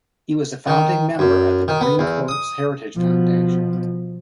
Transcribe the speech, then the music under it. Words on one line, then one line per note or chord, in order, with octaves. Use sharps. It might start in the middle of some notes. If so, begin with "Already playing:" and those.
He was a founding member of the Marine Corps Heritage Foundation.
D#3
F#2
D#3
B3
E2
D#6
B2 F3